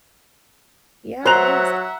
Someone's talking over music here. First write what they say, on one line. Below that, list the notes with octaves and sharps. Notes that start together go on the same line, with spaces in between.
Yeah, it is.
F#3 C5 E5 F#5 A#5 F#6 F7